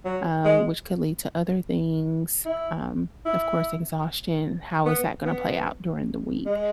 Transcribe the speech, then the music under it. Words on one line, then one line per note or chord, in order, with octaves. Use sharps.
uh, which could lead to other things? Um, of course, exhaustion. How is that gonna play out during the week?
F#3
G#3
E4
E4
B3
B3
G#3